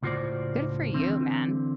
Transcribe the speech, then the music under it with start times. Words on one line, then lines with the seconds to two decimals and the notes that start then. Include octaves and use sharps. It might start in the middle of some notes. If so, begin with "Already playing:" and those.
Good for you, man,
0.03 C#2 A2 F4 F#4 C5 D5
0.94 D3 E3 C4